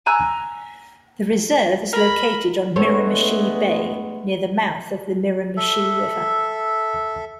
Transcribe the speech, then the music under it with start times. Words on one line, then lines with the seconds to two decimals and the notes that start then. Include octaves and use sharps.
The reserve is located on Miramichi Bay, near the mouth of the Miramichi River.
0.06 G#5 A#5 E6 F#6
1.93 A#4 B5
2.76 G2 G#3 A3 B3 C5 C#5
5.57 A4 E5